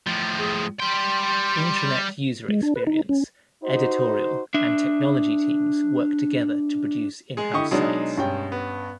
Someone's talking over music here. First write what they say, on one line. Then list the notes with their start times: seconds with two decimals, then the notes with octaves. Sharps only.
Intranet user-experience, editorial, and technology teams work together to produce in-house sites.
0.07 A2 F3
0.39 G#4
0.80 G3 G5 C6
2.49 G#3
2.63 D4
2.76 B4
2.87 D#4
3.09 C#4
3.62 D#4 F#4 C5
4.54 D4 E5
7.37 G#3 G#4
7.54 D3 E4 G4 D#5 C#6
7.71 B2 F#3 G#3 D4 D#4
8.17 G2 C#4 G5
8.52 B3